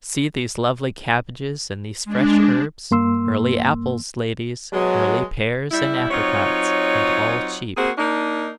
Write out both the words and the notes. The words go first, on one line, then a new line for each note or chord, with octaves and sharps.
See these lovely cabbages and these fresh herbs! Early apples, ladies; early pears and apricots, and all cheap.
G#3 D4
G2 A#3 C6 E6
B2 F#3 G#3
G3 E4
F#3 C4 D#4 F4 C#5
A#3 C4 F#4 G#4
A#3 D4 D#4